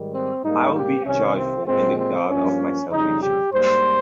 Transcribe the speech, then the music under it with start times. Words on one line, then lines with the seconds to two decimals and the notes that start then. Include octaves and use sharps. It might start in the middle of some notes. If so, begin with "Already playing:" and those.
I will be joyful in the God of my salvation!
Already playing: G#2 D#3 G3
0.13 C4
0.44 G#2 G3 A#3 D#4
0.75 G4
1.06 C2 C3 D#3 C#4
1.37 C4
1.67 A#2 G#3 C4
1.98 C4
2.30 G2 F3 A#3 C#4
2.91 F2 C#3 G3 D#4
3.22 G4
3.53 G#2 G3 A#3 C5